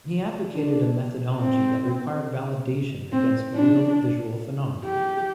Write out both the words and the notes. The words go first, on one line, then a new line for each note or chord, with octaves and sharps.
He advocated a methodology that required validation against real visual phenomena.
D4
C4
C4
D4
G4